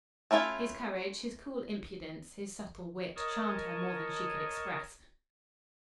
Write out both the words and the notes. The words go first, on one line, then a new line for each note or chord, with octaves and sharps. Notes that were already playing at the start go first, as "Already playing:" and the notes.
His courage, his cool impudence, his subtle wit charmed her more than she could express.
A3 C#4 E4 F4
A#4 C#5 D#5 A5 C#6 D#6